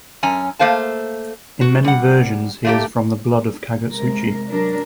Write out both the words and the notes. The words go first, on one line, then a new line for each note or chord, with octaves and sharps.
In many versions he is from the blood of Kagutsuchi.
F#2 C#4 G#5 A#5
A3 A#3 C5 F5 A5
F#4
G3 F#5
A3 A#3 G4
C3 G#3 A#4
F#3 D4 A#4